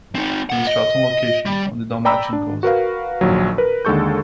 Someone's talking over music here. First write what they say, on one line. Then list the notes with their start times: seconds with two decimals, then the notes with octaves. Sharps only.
It was shot on location on the Dalmatian Coast.
0.15 C4 D#4
0.50 A#3 F#5
0.67 D#5
1.46 G3
2.05 D5 G5 A#5 B5 E6
2.33 D4
2.63 F#4 A#4 B4 F5
3.21 A#1 D#2 F#3
3.58 A#4 B4
3.85 D#2 D3 G#3 A4 C#6 G6